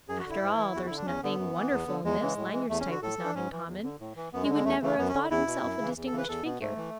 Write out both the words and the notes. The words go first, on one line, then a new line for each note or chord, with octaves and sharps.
After all, there was nothing wonderful in this; Lanyard's type was not uncommon; he would never have thought himself a distinguished figure.
F#2 G#4
F#4
D3
E4
G#2
E3
E2 F#4
D3 E4
D4
E2 C#4
D3 B3
F#2
E3
E2
D3
E2 G#3
C#3 E3
A2
E3
E2 A3
C#4
D3
F#4
A2 A4
E3
D4
G#2 C#4
E3
E2
D3
A2
E3
F#2 B3
G#3
D3
G#3
E2 A3
C#3 E3 A3
F#2 B3
C#4
D3
E2 E4
B2
F#2
C#3 E3
E2
A4
C#3 E3
B4
E2 A4
B2 B3
G#2 A3
E3